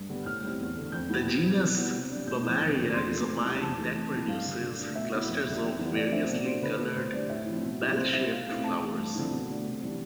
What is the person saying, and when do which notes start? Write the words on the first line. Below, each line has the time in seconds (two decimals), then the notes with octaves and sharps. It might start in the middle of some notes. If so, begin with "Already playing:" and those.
The genus "Bomarea" is a vine that produces clusters of variously-colored, bell-shaped flowers.
Already playing: G2
0.09 D3 G3 B3
0.25 A2 F6
0.43 G3 C4 E4
0.60 E2
0.76 D3 A3
0.92 F2 G6
1.09 E3 G3 B3 E4
1.27 B2
1.43 G3 C4 E4
1.60 B2 G6
1.76 G3 B3 E4
1.94 C3
2.10 D4
2.15 G3
2.27 A2 G6
2.44 F3 B3 E4
2.60 F2
2.77 C3 F3 A3 D4
2.93 E2 C6
3.11 C3 F3 A3
3.27 C3
3.44 G3 C4 E4
3.61 F2 A5
3.78 E3 A3
3.94 C3
4.12 F3 C4 E4
4.28 G2 F5
4.44 D3 G3 D4
4.61 D3
4.79 A3 D4
4.95 B2 E5
5.12 B3 E4
5.29 F2
5.45 D3 G3 B3
5.62 F2
5.78 E3 G3 B3
5.95 A2 D5
6.12 F3 C4 E5
6.30 B2 D5
6.45 A3 D4 C5
6.62 D3 B4
6.79 A3 D4 B4
6.96 A2 C5
7.13 G3 D4 D5
7.29 A2 E5
7.46 F3 C4 E4
7.63 B2
7.80 G3 C4 E4
7.96 C3 C5
8.13 G3 B3 E4 E5
8.31 B2 F5
8.47 A3 C4 E4 F5
8.64 C3 A5
8.80 E3 A3
8.98 G2
9.15 D3 F3 C4 E4
9.31 B2
9.48 A3 D4
9.64 C3
9.81 E3 G3 D4